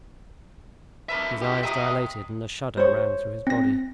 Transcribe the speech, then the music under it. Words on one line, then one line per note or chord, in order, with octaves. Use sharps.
His eyes dilated and a shudder ran through his body.
A#4 B4 E5 A5 B5
F4 G4
D#5 E5 G5 A#5 D#6
C5 C#5
C4 A#6